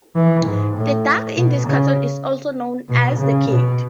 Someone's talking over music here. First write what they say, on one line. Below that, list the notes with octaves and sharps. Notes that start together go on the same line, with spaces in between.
The duck in this cartoon is also known as "The Kid".
E3
G#2
A2
B2
C#3
B2
C#3
B2